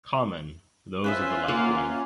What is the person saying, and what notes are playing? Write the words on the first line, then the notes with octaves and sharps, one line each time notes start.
Common, those of the left wing.
C#4 F4 B4 C5 E5
A#3 F5 F#5